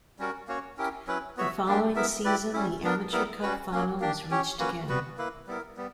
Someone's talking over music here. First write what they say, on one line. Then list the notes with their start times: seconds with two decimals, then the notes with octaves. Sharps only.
The following season the Amateur Cup final was reached again.
0.19 G3 C#4 F#4 A#4
0.48 A#3 C#4 F#4 C#5
0.77 C#4 E4 G4 A#4
1.07 F#3 C#4 E4 B4
1.37 B3 F#4 C#5 E5
1.66 G3 A#3 D4 G4
1.95 B3 E4 A#4 E5
2.25 E4 G4 B4 D5
2.53 G3 C#4 E4
2.84 B3 D4 A#4
3.12 G3 B3 E4 A#4
3.42 G3 C#4 F#4 B4
3.72 F#3 A#3 C#4
4.00 A#3 D4 G4
4.31 C#4 G4 C#5
4.59 A#3 C#4 F#4 B4
4.89 G3 B3 F#4 B4
5.18 A#3 E4 B4
5.47 G3 B3 E4 A#4
5.77 G3 B3